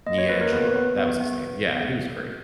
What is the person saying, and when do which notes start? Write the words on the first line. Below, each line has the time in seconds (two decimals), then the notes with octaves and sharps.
D'Angelo, that was his name, yeah, he was great.
0.06 A#3 D#5
0.18 C#5
0.29 A#3 B4
0.41 A#4
0.52 B3 B4
0.75 B3
0.98 B3
1.20 B3